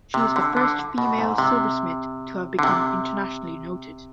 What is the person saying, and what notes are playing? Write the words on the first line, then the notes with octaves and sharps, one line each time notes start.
She is the first female silversmith to have become internationally noted.
C3
D3
D3
B2
G#2
C3
D3
C3